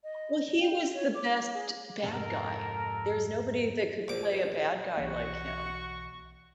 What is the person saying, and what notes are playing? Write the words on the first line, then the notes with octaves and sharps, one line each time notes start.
Well, he was the best bad guy, there's nobody that could play a bad guy like him,
D#5
G5
C#5
D6
G#4
F2 G#2 C3 A4 A#4
A#1 D6
B1 E3 A#3 F#4 C#6